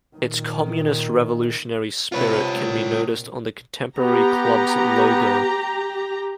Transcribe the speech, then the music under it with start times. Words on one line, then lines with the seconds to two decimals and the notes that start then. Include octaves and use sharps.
Its communist revolutionary spirit can be noticed on the contemporary club's logo.
0.17 A#2 D#3
2.12 C3 F4 B4 C#5
2.54 A#2
3.99 B3 G4 A#5